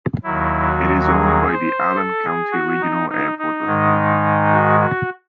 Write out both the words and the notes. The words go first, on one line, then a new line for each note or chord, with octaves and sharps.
It is owned by the Allen County Regional Airport Authority.
D#2 D#3 F#3 E4
F#4
G#4
C5
A4
G#4
F#4
D#4
D#4
D#4
G#2 D#3 G#3
F#4
F#4